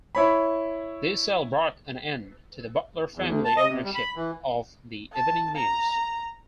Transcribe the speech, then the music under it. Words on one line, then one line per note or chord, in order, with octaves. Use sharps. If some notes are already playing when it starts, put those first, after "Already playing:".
This sale brought an end to the Butler family ownership of the Evening News.
E4 C#5 B5
E2
D2
A5
D#5
C3
G3
B5
E3
A5
A#5